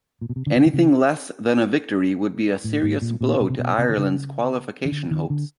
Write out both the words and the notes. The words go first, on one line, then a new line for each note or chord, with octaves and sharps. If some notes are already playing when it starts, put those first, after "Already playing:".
Anything less than a victory would be a serious blow to Ireland's qualification hopes.
A#2
B2
C3
D3
C#3
D3
C#3
A2
G#2
A#2
A#2
B2
C3
B2
C3
D3
C#3
D#3
D3
D#3
D3